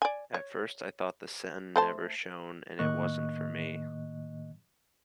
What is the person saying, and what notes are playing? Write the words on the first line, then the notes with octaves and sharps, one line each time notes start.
At first I thought the sun never shone and it wasn't for me.
D5 G#5
C#5
A3 C5 A5
A2 D#3 A#3 D#5 C#6 F#6